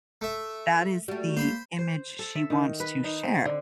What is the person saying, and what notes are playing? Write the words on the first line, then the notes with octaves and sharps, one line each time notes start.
that is the image she wants to share.
A3 E5
G3 A3 F#4
A#3 C5 B5 C6
C5
A4
E5
D#3
B4
D#4
C4
D3